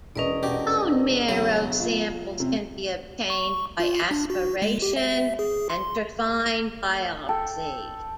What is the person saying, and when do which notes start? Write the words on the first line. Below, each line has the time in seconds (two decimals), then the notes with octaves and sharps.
Bone marrow samples can be obtained by aspiration and trephine biopsy.
0.16 E1 C#4 B4 D5 D#5
0.43 B2 G4
1.29 C#3 F#3 B3
1.80 F4
2.40 C3
3.30 C#6
3.80 F4
4.11 D4
4.30 F#4
4.62 G#3
4.82 G4
4.96 E5
5.39 G#4
5.70 C6
7.29 A4 G5